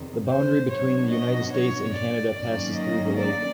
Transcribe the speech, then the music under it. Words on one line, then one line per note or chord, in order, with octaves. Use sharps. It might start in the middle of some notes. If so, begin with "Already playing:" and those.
The boundary between the United States and Canada passes through the lake.
Already playing: E2 C3 D#3
C5
B2 F#3 B3 D4 F#4 C#5
D#5
C#5
D5
D#3 F#3 A#3 C#4 D5
D#5
D5